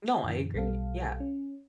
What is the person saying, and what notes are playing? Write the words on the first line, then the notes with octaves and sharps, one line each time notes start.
No, I agree, yeah.
F#2 A#2 D3 E3
B1 B2 G3 A4 F5
C#4